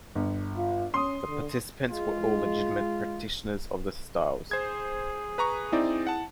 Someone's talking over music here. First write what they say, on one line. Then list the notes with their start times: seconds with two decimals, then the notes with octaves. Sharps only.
The participants were all legitimate practitioners of their styles.
0.15 G1
0.57 F4
0.94 C#4 C6 D#6
1.28 D3
1.89 G#3 F4
4.51 G#4 C5 G#6
5.38 B4 A#5 C#6
5.72 C4 D#4 E4 D5
6.07 F#5 A5